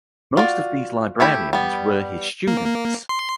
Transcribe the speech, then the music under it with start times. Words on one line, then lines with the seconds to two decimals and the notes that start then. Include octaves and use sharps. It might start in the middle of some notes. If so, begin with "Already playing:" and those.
Most of these librarians were his students.
0.37 F4 F#4 D5
1.20 A3 E4 G4 B5
1.53 G3 B3
2.47 A#3
2.65 A#3
3.09 C6